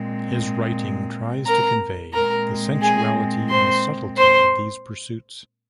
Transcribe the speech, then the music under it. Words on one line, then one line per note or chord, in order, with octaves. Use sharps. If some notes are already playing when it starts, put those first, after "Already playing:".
His writing tries to convey the sensuality and subtlety of these pursuits.
Already playing: A#2 G#3 C4
A#4 A#5
A#2 G#3 C4 A#4 A#5
G#4 G#5
C5 C6
C5 C6